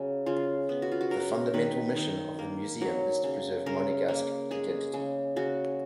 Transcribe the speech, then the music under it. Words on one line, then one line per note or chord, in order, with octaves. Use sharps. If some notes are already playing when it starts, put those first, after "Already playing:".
The fundamental mission of the museum is to preserve Monegasque identity.
Already playing: C#3 F#3
C#3 F4
B3
F#4
F4
F#4
F#3 A#4
D#3 B4
D#3
A#3
F#3
C#3
C#3 A#4
A#3
G#3 G#4
C#3
C#3 F#4